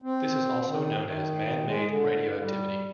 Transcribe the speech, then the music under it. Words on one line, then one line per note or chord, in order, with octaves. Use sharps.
This is also known as man-made radioactivity.
C4
D#3
D#3
G#3
D3
G3